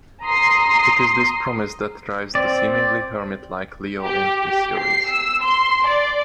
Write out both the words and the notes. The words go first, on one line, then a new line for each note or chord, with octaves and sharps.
It is this promise that drives the seemingly hermit-like Leo in this series.
A#5 C6 D#6 C7
C4 D5
G4
G4
C7
E6
C6
D5